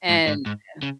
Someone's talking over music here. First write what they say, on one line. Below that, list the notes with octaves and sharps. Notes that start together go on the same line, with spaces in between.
And Yeah.
G#2
G#2
G#2
C#3